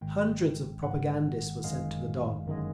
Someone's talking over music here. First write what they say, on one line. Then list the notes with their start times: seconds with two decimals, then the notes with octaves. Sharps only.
Hundreds of propagandists were sent to the Don.
0.01 G#1 G#2 D#3 G#3 G5
0.82 G#1 G#2 D#3 G#3 F#5
1.64 G1 F#2 D#3 G#3 F5
2.47 G1 F#2 D#3 G#3